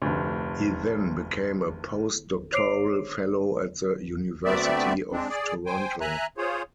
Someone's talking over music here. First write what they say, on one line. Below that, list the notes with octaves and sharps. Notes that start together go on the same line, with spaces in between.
He then became a post-doctoral fellow at the University of Toronto.
F1 D2
C5 C#5 D6 C7 D7 F7
D2 A3 B3 C4 D5 E5
G#3 C4 D4
G#4 D5
C5 G5 G#5
E5 G#5 A#5 F#6
F4 G#4 C5 C#5